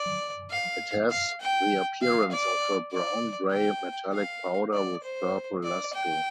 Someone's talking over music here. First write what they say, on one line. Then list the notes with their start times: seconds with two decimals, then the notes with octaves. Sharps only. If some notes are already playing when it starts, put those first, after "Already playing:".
It has the appearance of a brown-gray metallic powder with purple lustre.
Already playing: D5
0.51 F5
1.10 F5
1.41 G5
2.02 F5
2.31 D5
2.92 D5
3.52 G5
4.14 F5
4.74 D5
5.04 C5
5.63 D5
5.94 G5